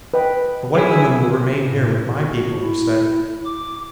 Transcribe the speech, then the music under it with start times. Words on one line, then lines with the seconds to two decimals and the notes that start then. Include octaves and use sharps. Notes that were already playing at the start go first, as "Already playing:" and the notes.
"The white woman will remain here with my people," he said.
0.14 B4 D#5 G5
0.75 F#3 E4 G#4 E6
1.65 A2
2.17 F#4
2.63 E4
3.45 D6